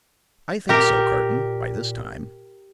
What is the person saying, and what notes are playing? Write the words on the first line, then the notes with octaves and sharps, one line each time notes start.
"I think so, Carton, by this time."
A#2 G4 A#4